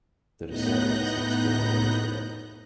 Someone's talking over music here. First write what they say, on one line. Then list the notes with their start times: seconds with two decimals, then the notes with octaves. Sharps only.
The disorder is extraordinarily rare.
0.48 A2 B3 D#4 F#6 G6 A#6